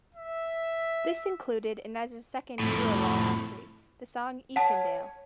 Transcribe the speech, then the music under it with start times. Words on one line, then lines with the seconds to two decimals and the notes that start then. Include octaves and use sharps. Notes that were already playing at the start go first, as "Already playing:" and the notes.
This included Ines' second "Eurolaul" entry, the song "Iseendale".
0.15 E5
2.60 F2 A2
4.56 C#5 F#5 A5